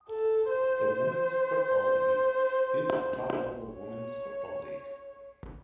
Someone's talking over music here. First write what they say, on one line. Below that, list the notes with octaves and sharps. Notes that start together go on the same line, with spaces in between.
The Women's Football League is the top-level women's football league.
A4
C5
C#5